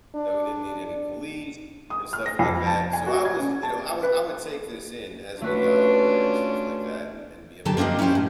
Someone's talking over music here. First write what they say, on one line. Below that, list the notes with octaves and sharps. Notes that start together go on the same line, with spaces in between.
that we didn't need any police and stuff like that, so, I was, y you know, I would I would take this in as we got older and stuff like that and and be amazed.
D4
D#6
F6
A#6
F2
A5
G#5
F#4
G#6
C#4
A5
B4
A3 C#4 D4 F4 F#4 B4
D3 F#3 G4 A4 G#5 A5
A#3 C4 D4 A#4 D#5
C#4 E4 F4 G4 C5
A2